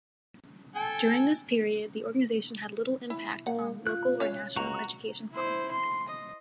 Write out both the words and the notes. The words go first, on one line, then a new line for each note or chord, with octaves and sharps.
During this period, the organization had little impact on local or national education policy.
A4 G5 G#5
E4
A#3 F#5
F4 F#6
C#4 C#5 F5
C#2 F#4 A#5
E4 C5
C6
D#5